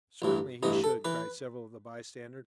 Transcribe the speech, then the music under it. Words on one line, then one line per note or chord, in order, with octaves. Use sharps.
"Certainly he should!" cried several of the bystanders.
A1 G2 E3
A1 G2 E3 D#5
A4
E3 B4